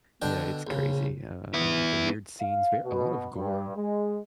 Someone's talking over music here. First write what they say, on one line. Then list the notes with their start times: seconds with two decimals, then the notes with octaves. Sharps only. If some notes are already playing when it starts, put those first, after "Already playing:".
Yeah, it's crazy, uh, e weird scenes, ver a lot of gore.
0.22 B2 D3 D4 D5 G5
0.67 A#1 C#3
1.54 B3 E4
2.41 F5
2.84 B2
3.36 G2
3.76 G#3